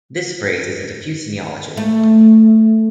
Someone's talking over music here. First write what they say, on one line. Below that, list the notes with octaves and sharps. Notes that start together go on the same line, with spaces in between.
This phrase is a diffuse neologism.
A3